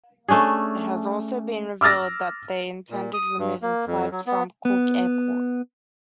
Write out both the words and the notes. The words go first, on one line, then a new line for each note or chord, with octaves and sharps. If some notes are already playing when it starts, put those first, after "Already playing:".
It has also been revealed that they intended removing flights from Cork Airport.
A3 C#4 D4 G#4
D6 E6 F6 A6 A#6
A#2
D#6
G2
A#3
F2
F#3
B3
B3